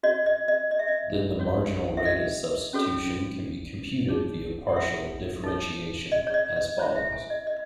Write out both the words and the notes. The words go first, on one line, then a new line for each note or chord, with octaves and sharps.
Then the marginal rate of substitution can be computed via partial differentiation, as follows.
F#4 C#5 D#5
D#5
D#5
D#5
E5
D#5
C#4 F#4 C#5
F#5
E5
D#5
C#4 F#4 A4 C#5
D#4 G#4 C#5
F#5
E5
D#4 A4 C#5
D#5
C#5
D#5
D#5
E4 C5 C#5
E5
G#5
D#5
D#5